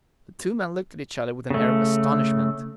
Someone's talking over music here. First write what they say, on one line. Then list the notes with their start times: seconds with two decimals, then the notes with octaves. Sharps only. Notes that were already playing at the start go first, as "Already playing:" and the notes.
The two men looked at each other with an air of astonishment.
1.50 C#3 A3